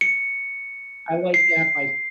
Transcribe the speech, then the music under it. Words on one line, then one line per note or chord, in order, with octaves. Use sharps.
I like to have my s
C#7
C7